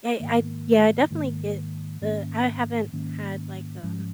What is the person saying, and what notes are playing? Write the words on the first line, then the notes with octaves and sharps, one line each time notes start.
ye I yeah, I definitely get the I haven't had, like, um,
G#2 D#3 A#3
G#2 D#3 A#3
G#2 D#3 A#3 C#4
G#2 D#3 A#3 C#4
G#2 F3 G#3 C#4